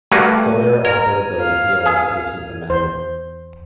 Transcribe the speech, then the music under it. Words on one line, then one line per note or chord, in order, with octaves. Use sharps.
Sawyer authored the repeal of the Eighteenth Amendment.
G2 A3 A#3 F#4 D#7
A#4 G#6 F7
F5
G#4
E2 C5